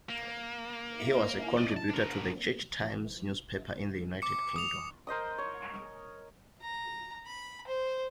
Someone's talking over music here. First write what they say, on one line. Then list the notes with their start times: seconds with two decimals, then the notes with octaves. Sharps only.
He was a contributor to the 'Church Times' newspaper in the United Kingdom.
0.09 A#3
1.57 D5 D#5
1.77 A5
1.89 D4 A#4
4.22 D6 C#7
4.56 D#6 F7
5.07 A#4 C5 D#5 D#6
5.38 C#5
6.61 A#5
7.26 B5
7.67 C5